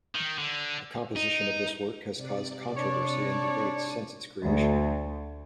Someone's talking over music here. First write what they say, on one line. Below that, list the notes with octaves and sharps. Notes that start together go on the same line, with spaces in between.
The composition of this work has caused controversy and debate since its creation.
D#3
D3
D#4
C3 D5
D4 C#5
D2